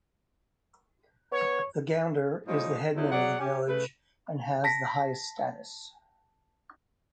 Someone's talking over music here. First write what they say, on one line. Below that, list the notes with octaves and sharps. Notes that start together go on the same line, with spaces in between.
The "Gounder" is the headman of the village and has the highest status.
B3 C#5
A2 F3 G3 C#4 D#4
E2 D3 F#3 D#4 E4
F#3 C#4 G#4 D5 F#5
C#4 G4
C#3 A3 B4
A5 A#6 B6